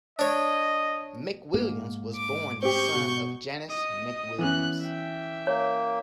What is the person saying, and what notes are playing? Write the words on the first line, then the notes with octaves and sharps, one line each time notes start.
McWilliams was born the son of Janice McWilliams.
D4 C#5 D#5
G#2 A#3
D6
C4 G4 C#6 G6
B2
D#5 D#6
E3 B3 C#4 F#6
E5 G5
A#3 C#5